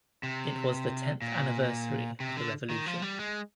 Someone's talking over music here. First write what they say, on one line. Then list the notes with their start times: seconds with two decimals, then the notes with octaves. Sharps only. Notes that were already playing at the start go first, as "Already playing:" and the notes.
It was the tenth anniversary of the revolution.
0.23 C3
1.22 A#2
2.20 C3
2.37 D3
2.70 D#3
2.86 F3
3.02 G3
3.19 G#3